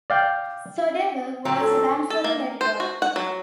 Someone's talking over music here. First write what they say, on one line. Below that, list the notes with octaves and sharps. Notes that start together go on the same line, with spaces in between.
Soderbergh was eventually let go.
D5 F5 G5
A#2 F#3 C4
A4
A4
A#3
C5
F#4
F#5
F#3